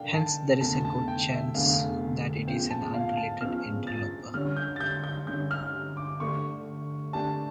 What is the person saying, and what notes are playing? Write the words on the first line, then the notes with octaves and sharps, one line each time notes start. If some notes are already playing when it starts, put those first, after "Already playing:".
Hence, there is a good chance that it is an unrelated interloper.
Already playing: D3 A#3 D4 A4 F5 G5
A5
F1 E2 D3 A5
A5
G5
E5
F1 E2 D3 F5
E2 C#3 F3 G5
A5
F5
A5
E2 C#3 F3 F6
A6
D3 G3 C#4 F6
G6
A6
G6
G6
D3 G3 C#4 G6
F6
D6
D3 A3 D4 G4 C#6
D3 A3 D4 G4 A5